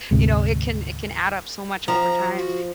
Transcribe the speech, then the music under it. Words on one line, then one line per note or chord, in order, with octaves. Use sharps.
you know, it can it can add up so much over time.
D2 G#2 C3 G#3
F3 A#5
F#4